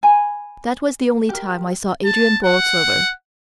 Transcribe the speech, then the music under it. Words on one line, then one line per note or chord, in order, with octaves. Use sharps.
That was the only time I saw Adrian Borlsover.
G#5 B5
G4 A#4
A5
F#5